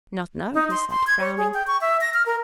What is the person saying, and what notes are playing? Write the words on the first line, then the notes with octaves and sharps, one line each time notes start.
"Not know," he said, frowning.
D#4
C6
C6
G#6
C#5
G#4
G5
C#6
E5
A#6
F6
A#4